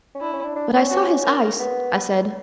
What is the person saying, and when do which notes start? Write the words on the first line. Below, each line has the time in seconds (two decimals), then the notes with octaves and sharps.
"But I saw his eyes," I said.
0.15 C#4
0.21 D4 E4
0.33 C#4
0.44 D4
0.56 D4
0.73 C#4
0.90 F#4
1.25 A#4
1.59 B3
1.94 B4